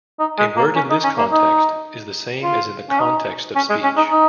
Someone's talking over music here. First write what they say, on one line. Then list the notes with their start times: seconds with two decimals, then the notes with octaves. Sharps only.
A word in this context is the same as in the context of speech.
0.19 D#4
0.39 G#3
0.57 A#3
0.76 C#4
0.90 D#4
1.04 C#4
1.18 A#3
1.32 D#4
2.43 F4
2.90 C#4
3.00 D#4
3.56 C#4
3.70 G#3
3.83 C#4
3.97 D#4
4.11 D#4